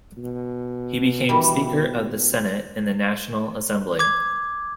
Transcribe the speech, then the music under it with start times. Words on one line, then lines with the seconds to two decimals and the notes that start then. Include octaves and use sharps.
He became speaker of the senate in the National Assembly.
0.17 B2
1.29 D#3 E3 G3
3.99 D6 G#6